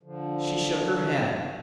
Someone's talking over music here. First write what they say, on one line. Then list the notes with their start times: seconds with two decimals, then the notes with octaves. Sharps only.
She shook her head.
0.03 D3 F3